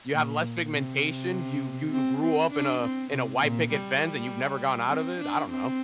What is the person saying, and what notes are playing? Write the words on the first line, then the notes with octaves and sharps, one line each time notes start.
you have less pigmentation, you you grew up in a in a white picket fence, and you've never gone out of it, I don't know.
A#2
C3
C4
C4
D4
C4
C3
A#2
G3
C4
D4
C4